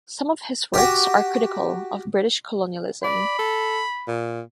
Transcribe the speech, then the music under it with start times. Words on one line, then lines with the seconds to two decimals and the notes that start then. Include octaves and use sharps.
Some of his works are critical of British colonialism.
0.74 F#4 G4
3.04 D5 B5
3.39 A4
4.08 A#2